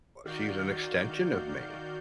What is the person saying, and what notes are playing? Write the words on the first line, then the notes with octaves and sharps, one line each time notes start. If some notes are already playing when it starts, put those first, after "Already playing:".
she's an extension of me.
D#3 F#4 D5 F5 G6